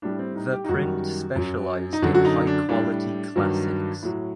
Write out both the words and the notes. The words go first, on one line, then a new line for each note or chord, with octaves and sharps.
The print specialized in high quality classics.
A2 G3 D4
C4
D#4
G4
D#4
F#2 D#3 G3 F#4
F#2 F#3
D#4
F#2 D3 F#3 F#4
F#4
D#4
D4
A2 G3 D4
G2 D#3 F#3
A2 F#3